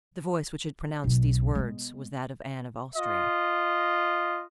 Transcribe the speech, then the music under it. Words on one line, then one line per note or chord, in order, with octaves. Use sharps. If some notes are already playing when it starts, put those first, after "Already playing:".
The voice which had pronounced these words was that of Anne of Austria.
B1 B2
G#3 B3
F4 D#5